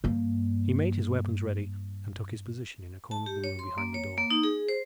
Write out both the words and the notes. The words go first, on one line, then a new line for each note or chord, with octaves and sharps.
He made his weapons ready, and took his position in a corner of the room behind the door.
G2 A#3
A5
G4
C#5
C6
A#3
C#5
A#3
D#4
G#4
C5